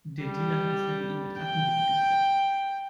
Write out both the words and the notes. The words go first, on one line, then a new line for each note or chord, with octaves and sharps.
Der Dealer hat das Heroin mit Rattengift gestreckt.
G3
G5